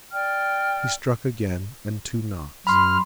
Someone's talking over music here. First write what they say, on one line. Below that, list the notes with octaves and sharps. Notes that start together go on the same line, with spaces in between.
He struck again, and two knocks.
D5 G5 F6
F#2 B5 C6 F6